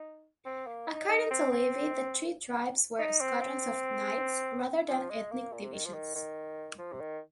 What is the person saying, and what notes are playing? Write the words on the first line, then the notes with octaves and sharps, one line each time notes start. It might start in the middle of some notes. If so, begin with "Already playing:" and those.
According to Livy, the three "tribes" were squadrons of knights, rather than ethnic divisions.
Already playing: D#4
C4
A#3
D#4
D#4
C4
C4
D#4
C4
C4
F3
G#3
A#3
A#2
C3
D#3
F3
D#3
D#3
F3
C3
D#3